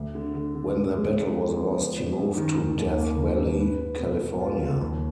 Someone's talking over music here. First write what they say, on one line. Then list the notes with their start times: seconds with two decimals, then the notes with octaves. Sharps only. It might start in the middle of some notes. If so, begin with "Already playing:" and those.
When their battle was lost, he moved to Death Valley, California.
Already playing: D2
0.15 D3
0.34 D3
0.55 D3
0.75 D3
0.96 G#3
1.17 D4
1.36 F3
1.57 B3
1.77 F3
1.97 D4
2.18 F#2
2.38 D#3
2.58 D#3
2.78 D#2
2.98 A#3
3.19 A#3
3.39 D#2
3.59 B4
3.80 B4
4.00 B2
4.20 B2
4.41 F4
4.61 F4
4.82 D#2